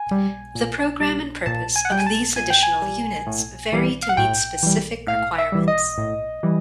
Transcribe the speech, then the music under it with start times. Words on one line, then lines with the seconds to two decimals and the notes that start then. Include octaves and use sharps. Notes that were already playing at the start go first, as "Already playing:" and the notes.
The programme and purpose of these additional units vary to meet specific requirements.
Already playing: G#5
0.11 G3
0.55 A#2
1.01 G3
1.46 A#2 A5
1.76 G#5
1.85 F#5
1.91 G3 G5
1.99 G#5
2.06 A5
2.36 A#2 G#5
2.50 G5
2.63 G#5
2.82 G3
3.27 A2
3.73 E3 G3
4.03 F5
4.09 F#5
4.17 A2 G5
4.63 E3 G3
5.07 A2 F5
5.38 E5
5.52 E3 G3
5.68 D#5
5.98 A2
6.43 E3 G3